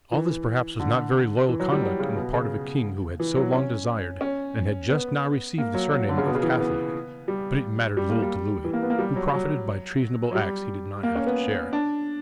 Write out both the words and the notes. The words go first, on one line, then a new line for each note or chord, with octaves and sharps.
All this perhaps was not very loyal conduct on the part of a king who had so long desired and had just now received the surname of Catholic, but it mattered little to Louis, who profited by treasonable acts he did not have to share.
E3
D3
E3
F#3
G3
F#3
C#3
B2
C#3
E3
F#3
C#4
C#4
B3
A#3
F#3
F#3
D3
C#3
B2
C#3
E3
B3
G3
G3
A#3
G3
E3
A#3
B3
A#3
G3
F#3
F#3
F#3
G3
A#3
C#4
B3
D4